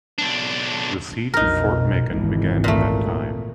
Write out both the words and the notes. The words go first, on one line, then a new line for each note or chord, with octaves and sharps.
The siege of Fort Macon began at that time.
B1 D4
B1 F2 D#4 A#4
G#1 C#2 E3
A#2 A3